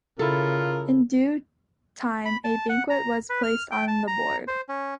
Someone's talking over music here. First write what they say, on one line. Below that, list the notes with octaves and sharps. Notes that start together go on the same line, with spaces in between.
In due time a banquet was placed on the board.
C#3 E4 F4 A4 A#4
B5
A5
F#5
A#5
B4
F6
G5
A5
A#5
C5
C#4